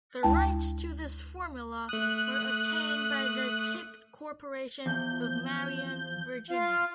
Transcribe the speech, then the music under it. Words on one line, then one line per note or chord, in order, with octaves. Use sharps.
The rights to this formula were obtained by the Tip Corporation of Marion, Virginia.
D2 G#3 E4 G5 A5
A3 D#6 F#6
E2 F3 G6
F4 F5